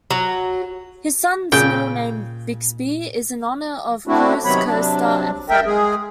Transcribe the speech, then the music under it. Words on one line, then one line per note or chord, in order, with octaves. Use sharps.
His son's middle name, Bixby, is in honor of Cruz's co-star and friend.
F#3
A#2 C#3 G5
A3 C4 D4 E4 F#4
C3 D#3 F#3 B3 C#5 B5
C3 F#3 D4
A#4 E5 G5
G#3 G#4